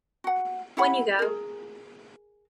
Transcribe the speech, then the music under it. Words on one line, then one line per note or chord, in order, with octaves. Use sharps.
When You Go!
F#4 F#5
E4 G4 F#5 B5
G#4 A#4